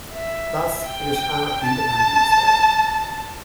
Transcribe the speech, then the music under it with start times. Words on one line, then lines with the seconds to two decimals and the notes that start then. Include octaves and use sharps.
Thus, it is her Independence Day.
0.11 E5
0.86 G5
1.63 A5